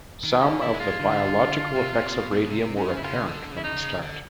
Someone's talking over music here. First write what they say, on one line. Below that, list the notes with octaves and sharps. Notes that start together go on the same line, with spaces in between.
Some of the biological effects of radium were apparent from the start.
D#3
C#4
D3
E4
G#3
F4
D3
C3
C3
B2
B2
C3
C#3
F4
E4
C#3 F4
D3
C#3
E4
D#4
C#3
D3